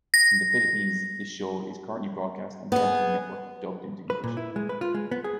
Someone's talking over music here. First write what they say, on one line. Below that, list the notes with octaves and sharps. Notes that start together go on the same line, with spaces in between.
In the Philippines, this show is currently broadcast on Cartoon Network dubbed into English.
A#6
B3 G#4
B4
A#2
E4
G#3
B4
F4
G#3
B3
G#4